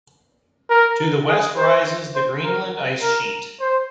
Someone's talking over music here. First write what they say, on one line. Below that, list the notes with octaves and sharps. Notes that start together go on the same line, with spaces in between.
To the west rises the Greenland Ice Sheet.
A#4
G#4
C5
C5
A#4
A#4
C5